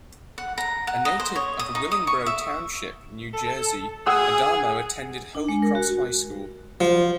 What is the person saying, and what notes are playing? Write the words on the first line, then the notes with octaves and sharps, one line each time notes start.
A native of Willingboro Township, New Jersey, Adamo attended Holy Cross High School.
F#5
A#5
F#5
D#5
C5
C#5
D#6
D#4
D#6
C#6
E5
A4
G#4 F#5 D#6 E6
D4
G#3
A#4
F#4
F3